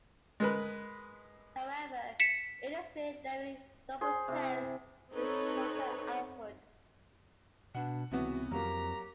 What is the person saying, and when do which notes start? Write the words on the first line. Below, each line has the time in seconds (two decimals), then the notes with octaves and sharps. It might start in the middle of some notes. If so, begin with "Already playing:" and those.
However, it is clear that we don't possess his total output.
0.40 G#3 A#4 B4
2.20 B6 C#7 E7
4.01 G#4 C5 C6
4.28 C3 E4
5.13 C4 D#4 A4 B4 C#5
7.75 B2 D4 F#5
8.12 C#2 C3 E3 B3 F#4
8.52 F2 F#3 A#3 G4 A#5